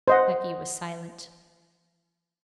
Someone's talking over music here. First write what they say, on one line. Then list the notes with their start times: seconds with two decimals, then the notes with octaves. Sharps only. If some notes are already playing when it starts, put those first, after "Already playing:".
Becky was silent.
0.08 C5 D#5 F#5